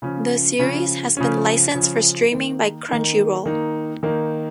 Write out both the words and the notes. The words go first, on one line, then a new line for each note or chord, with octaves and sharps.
The series has been licensed for streaming by Crunchyroll.
C#3 F3 C#4
C#3 F3 C#4
C#3 F3 C#4
C#3 F3 C#4
D#3 A#3 D#4
D#3 A#3 D#4
D#3 A#3 D#4
D#3 A#3 D#4